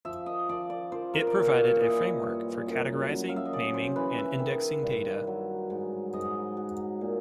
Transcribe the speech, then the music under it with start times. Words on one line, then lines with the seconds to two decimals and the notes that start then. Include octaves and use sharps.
It provided a framework for categorizing, naming, and indexing data.
0.05 F3 E5
0.26 D#5
0.49 F3 D5
0.70 D5
0.92 F3 C5
1.13 A#4
1.27 D5
1.35 A#2 C#5
1.58 C#5
1.79 E3 D#5
1.88 E5
1.98 D#5
2.22 G2
2.66 F#2
3.09 F#3
3.29 F5
3.36 E5
3.45 D#5
3.52 C#3 D5
3.74 C5
3.96 E3 B4
4.18 E5
4.39 D#3
4.83 G2
5.27 F#3
5.70 G#2
6.13 G#2 D#5
6.57 F#3
7.01 A#2